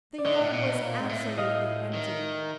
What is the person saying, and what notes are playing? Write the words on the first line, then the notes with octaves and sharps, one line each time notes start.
The yard was absolutely empty.
D5
D3 C#5 D#5
A2
A#2
B2
A#2
G#2
A2
D#5 F5
D#3